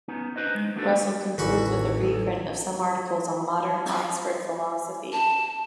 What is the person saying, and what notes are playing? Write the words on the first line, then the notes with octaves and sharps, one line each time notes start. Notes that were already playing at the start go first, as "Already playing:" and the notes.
Russell concludes with a reprint of some articles on modern Oxford philosophy.
B3 C#4 D#4
D4 D#4 G4 B4 C5 D#5
G#3
A3 B3 D4 F#4 G#4 A4
A1 E2 D#3 F#4 A4 B5
A5